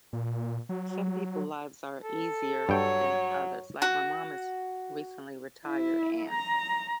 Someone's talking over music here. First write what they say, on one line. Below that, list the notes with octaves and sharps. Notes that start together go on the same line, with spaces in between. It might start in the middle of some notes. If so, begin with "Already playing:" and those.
some people lives are easier than others. Like, my mom is recently retired and,
A#2
F#3
A4
G2 F#3 C#5 G5
F#4
E4
A#5